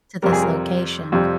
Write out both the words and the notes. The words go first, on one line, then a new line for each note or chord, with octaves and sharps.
to this location,"
F2 C3 G3 A#4
G#4
A#4
F2 C3 G3